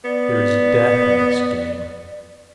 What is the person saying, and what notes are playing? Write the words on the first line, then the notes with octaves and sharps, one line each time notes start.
There is death in this game.
B3 D5